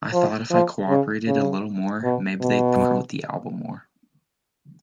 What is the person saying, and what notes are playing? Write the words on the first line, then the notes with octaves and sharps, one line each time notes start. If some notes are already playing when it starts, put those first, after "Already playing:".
I thought if I cooperated a little more, maybe they'd promote the album more.
F3
F3
C#3
C#3
B2
B2